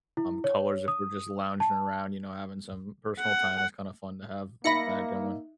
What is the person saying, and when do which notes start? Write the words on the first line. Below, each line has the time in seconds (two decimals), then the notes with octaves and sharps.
um, colors if we're just lounging around, you know, having some personal time, it's kinda fun to have have that going,
0.17 E4
0.44 C#5
0.88 D#6
1.60 A5
3.20 F#5
4.64 A#3 D#4 E5 B5 A#6 C#7 F#7